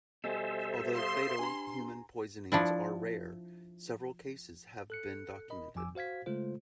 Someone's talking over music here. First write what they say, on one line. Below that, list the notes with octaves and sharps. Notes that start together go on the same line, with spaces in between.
Although fatal human poisonings are rare, several cases have been documented.
B2 G3 A4 C5 D#5 E5 G#5
F5 C6 D#6
D4 G4 B4 G#5 A#5
F3 D4 E4
A4 F#6 C#7
A#4 D#5 B5
F2 F3 G#5 D6 E6
F#4 C5 F5 G#6 B6
C#3 G#3 A3 F4 A4 C5